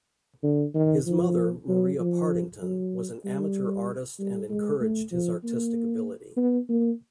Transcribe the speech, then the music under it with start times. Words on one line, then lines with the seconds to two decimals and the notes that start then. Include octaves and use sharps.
His mother, Maria Partington, was an amateur artist and encouraged his artistic ability.
0.43 D3
0.75 D#3
1.06 F3
1.68 F#3
2.00 F3
2.63 F#3
3.25 G3
4.19 G3
4.50 G#3
4.80 A3
5.12 F3
5.44 A#3
6.37 B3
6.69 A#3